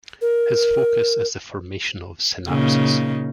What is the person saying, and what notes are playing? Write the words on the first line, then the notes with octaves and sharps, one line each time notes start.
His focus is the formation of synapses.
A#4
A#2 C#3 D#4